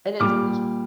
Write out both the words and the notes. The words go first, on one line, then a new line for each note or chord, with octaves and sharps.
And it's e
A#2 G3 D6 F6